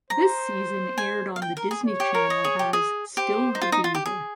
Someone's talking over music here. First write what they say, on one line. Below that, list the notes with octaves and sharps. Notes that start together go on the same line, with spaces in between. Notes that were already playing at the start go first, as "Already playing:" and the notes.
This season aired on The Disney Channel as "Still the Beaver".
C5 A#5
G#5
F5
G5
A#4
G#4
C#5
G4
A#4
D#5
G#4
G4
G#4
G4 C5
D#4
F4
D#4
F4
G4
G#4